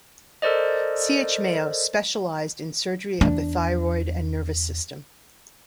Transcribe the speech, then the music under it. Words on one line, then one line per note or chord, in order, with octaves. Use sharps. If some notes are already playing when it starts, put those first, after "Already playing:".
C. H. Mayo specialized in surgery of the thyroid and nervous system.
A4 A#4 C5 D5 D#5
E2 D4